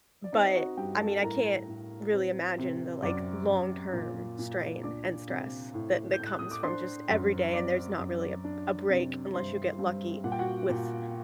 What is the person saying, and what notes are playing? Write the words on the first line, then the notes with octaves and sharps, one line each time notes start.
but, I mean, I can't really imagine the, like, long-term strain and stress that that comes from just every day and there's not really a b a break unless you get lucky with
D5
C4 D#4 D#5
F#4 F#5
G2 G4 G5
A4 A5
A2 A#4 A#5
A2
C4
C3
F#2 D5 D6
F#2
A#2
A#2
D4 D5 D6
C3
A2
G6
A2
F#6
D#6
D6
D4 C5 C6
F#2
C4 D5 D6
F#2
D4
C3
G2 C5 C6
G2
A#2 F#5
G5
F#4 F#5
A#2